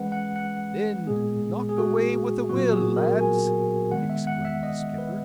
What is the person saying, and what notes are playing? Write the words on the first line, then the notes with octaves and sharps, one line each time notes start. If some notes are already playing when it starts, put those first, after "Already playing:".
"Then knock away with a will, lads!" exclaimed the skipper.
Already playing: E3 G#3 C#4 B4 F#5
F#5
F#5
A#2 G#3 B3 G#4
G#4
F#4
A#2 F#3 B3 F#4
G#4
A#4
G#5
D#3 G#3 B3 F#5
E5
F#5
E5
D#5
B4